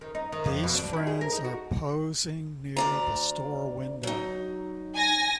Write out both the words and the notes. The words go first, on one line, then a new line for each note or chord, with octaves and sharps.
These friends are posing near the store window.
D#3
D#4
D#3
F2
B2
D4
E4
G#4
A#4
D#4
F#4
D2 D5 A#5
F#3 D#4
G#5 A#6